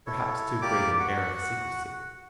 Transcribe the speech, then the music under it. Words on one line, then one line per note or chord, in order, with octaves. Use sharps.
Perhaps too great an air of secrecy.
E4 A4 C#5
A#3 G4 D5 D6
F#4 F#5